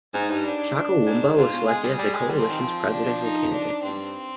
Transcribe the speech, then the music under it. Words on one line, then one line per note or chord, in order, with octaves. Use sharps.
Chakuamba was selected as the coalition's presidential candidate.
G#2 D#4
G2
D4
D4
G#2
G#2 F4
B2
G#3 G#4
G3
G3
G#3
G3 C4
F3
D#3
F3
D4
D#4
D4
G2 C4